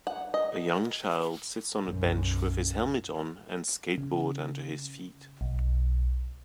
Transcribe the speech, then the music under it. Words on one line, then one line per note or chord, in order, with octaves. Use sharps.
A young child sits on a bench with his helmet on and skateboard under his feet.
F#5
D#5
B1 F#2
C#3
B1